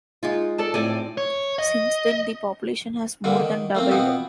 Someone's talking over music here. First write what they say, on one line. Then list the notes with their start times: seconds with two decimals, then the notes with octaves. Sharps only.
Since then, the population has more than doubled.
0.23 G#3 D#4 F4
0.58 A4 D5 A5
0.74 A2 C4 D5 G#5
1.18 C#5
1.59 D#5
3.24 G2 D3 G3 A#3
3.40 D#3
3.75 A3 A#3 C4
3.91 B2 F3 B3 C4